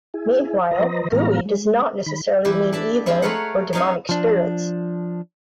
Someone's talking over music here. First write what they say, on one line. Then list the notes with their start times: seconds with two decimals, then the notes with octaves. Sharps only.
Meanwhile, "gui" does not necessarily mean 'evil' or demonic spirits.
0.14 E4 G#4
0.71 F3 B4 C5 D#5 A#5
1.12 A2 E3 G#3 B3 F5 A#5
1.46 G#3
2.06 D#3 B5
2.45 E3 E4 G4
2.73 D4 E5 A5
3.06 F3 G#3 C4 E4
3.22 A3 A#4 B4 C#5 F5 F#5
3.73 F#3 C#4 D#4 F5 G#5
4.09 F3 D4